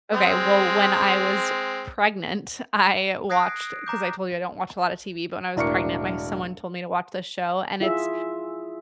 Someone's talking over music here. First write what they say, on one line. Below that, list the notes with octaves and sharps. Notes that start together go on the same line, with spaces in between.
Okay, well, when I was pregnant, I watched 'cause I told you, I don't watch a lot of TV, but when I was pregnant, my someone told me to watch this show, and it's
G#3 C4
D#6 F#6 G#6 A#6 C7 D7
A#5 D6 G6
E1 A2 D4 A#4 C#6 C#7
E4 F4 G#4 E5